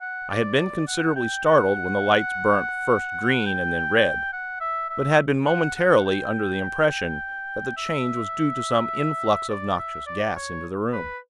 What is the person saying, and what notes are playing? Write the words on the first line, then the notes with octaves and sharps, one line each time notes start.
I had been considerably startled when the lights burnt first green and then red; but had been momentarily under the impression that the change was due to some influx of noxious gas into the room.
F#5
D5
D5
F#5
G5
F#5
G5
F#5
E5
E5
F#5
F#5
G5
E5
D5
E5
D5
C#5
B4